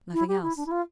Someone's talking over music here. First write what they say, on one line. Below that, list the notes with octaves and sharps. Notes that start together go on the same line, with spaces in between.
Nothing else.
E4
G4
E4
D4
E4
F4